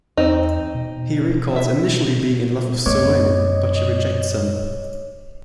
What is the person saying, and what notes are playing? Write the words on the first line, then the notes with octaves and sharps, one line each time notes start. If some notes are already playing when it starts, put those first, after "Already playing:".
He recalls initially being in love with Soo-in, but she rejects him.
E2 C4 D#4
B2
E5
F#2 G3 A3 B3 C#5 D#5 D6